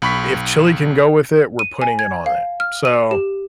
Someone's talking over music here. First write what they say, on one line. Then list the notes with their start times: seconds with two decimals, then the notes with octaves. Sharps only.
if chili can go with it, we're putting it on it. So,
0.02 B1 B5 C#6 B6
1.59 D#7
1.82 G#5
1.99 G#6
2.26 F5
2.60 F6
2.85 D#7
3.11 G4